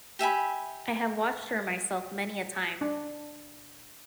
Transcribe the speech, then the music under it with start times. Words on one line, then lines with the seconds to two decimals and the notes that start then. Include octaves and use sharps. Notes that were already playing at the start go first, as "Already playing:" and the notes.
I have watched her myself many a time.
0.19 G4 E5 G#5 B5
2.81 D4